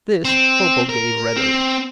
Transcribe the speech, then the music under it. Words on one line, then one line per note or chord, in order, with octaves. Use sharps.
This Bobo gave readily.
C4
A#4
C4